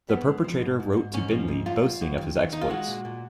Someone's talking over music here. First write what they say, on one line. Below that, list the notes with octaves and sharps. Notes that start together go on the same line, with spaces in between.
The perpetrator wrote to Binley boasting of his exploits.
F#2 B3
G#3
F3
G#2
G#2
G#2
G#2 C#4
F3
G#2
F#2 F4
F#2
F#2
D#2
D#2
D#2 D#4
F4
G#3 F#4
A#2
A#2